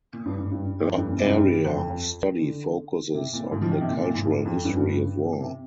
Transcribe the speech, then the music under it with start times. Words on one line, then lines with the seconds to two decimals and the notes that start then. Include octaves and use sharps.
Her area of study focuses on the cultural history of war.
0.13 A#2
0.26 G2
0.39 G#2
0.51 G2
0.88 F2
0.98 G2
1.07 A#2
1.18 C3
1.27 G2
1.64 F2
2.39 D3
3.14 C3
3.33 A#2
3.52 G#2
3.62 F3
3.71 D#3
3.81 C3
3.90 A#2
4.03 A#2
4.15 G#2
4.28 G#2
4.45 F2
4.65 G2
4.78 G2
4.90 G2
5.40 C3